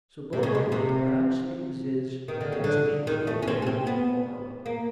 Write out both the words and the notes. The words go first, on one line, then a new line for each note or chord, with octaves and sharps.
So Bobo left the proud city of Zizz, and once again rode over the hills and far away.
C3
C#3
C3
C3
D#3
D3
C#3
D3
D#3
A3
C#4
C4
C#4
C4
B3
A#3